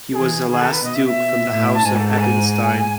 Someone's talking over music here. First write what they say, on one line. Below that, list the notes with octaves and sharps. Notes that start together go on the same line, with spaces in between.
He was the last duke from the House of Eppenstein.
A4
E3 G#4
D#3 G#4
A4
B4
B2 D#5
E5
E5
A2
A5
G#2 G#5
A4
A4
G#5